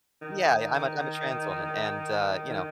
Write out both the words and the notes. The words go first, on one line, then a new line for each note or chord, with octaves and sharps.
Yeah, I'm a I'm a trans woman. And, uh, you know,
D#3
D#3